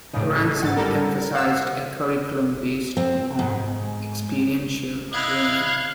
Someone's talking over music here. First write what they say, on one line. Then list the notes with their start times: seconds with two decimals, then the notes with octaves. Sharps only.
Ransom emphasized a curriculum based on experiential learning.
0.13 A2 C#3 D4 D#4
0.35 D#4 A4
0.62 G#2 F#5 A6
0.76 G3 A4 A#4
1.18 A#4
1.35 F5 F#5 E6
2.97 C4
3.39 G#2
5.13 E4 D#5 F5 F#6 G#6